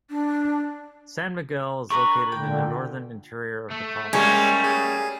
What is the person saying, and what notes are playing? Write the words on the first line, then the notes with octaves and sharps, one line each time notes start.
San Miguel is located in the northern interior of the province.
D4
D4 A#4 B4 B5 C#6
A#2 D3 G5
A3
G3 G#3 A#3 C#4 C#5
G#4